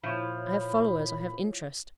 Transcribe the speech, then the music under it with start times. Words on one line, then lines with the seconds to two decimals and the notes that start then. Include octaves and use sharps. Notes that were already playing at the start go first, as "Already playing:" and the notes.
I have followers,--I have interest.
0.03 A#2 F3 E4 C#5 B5